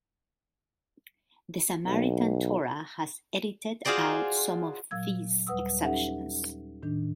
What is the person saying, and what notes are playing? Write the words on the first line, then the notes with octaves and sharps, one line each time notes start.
The Samaritan Torah has edited out some of these exceptions.
B1
F4 F#4 G#4 C5 D5 C6
A#2 F#3 F5 E6 G#6
D#2 G3 B4 F#5 D#6 E6
C#4 D#4 G4 A4 E5 F#5
A2 D#3 D4